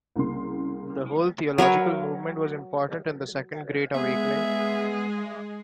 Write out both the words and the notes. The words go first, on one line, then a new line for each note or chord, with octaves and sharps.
The whole theological movement was important in the Second Great Awakening.
C2 C#3 A#3 C6
F#3 A#4 B4 C#5
G#3 B3 G#4 E5